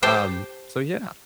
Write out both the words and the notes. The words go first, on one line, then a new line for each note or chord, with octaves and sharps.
Um so yeah,
G4 C5 G5 A5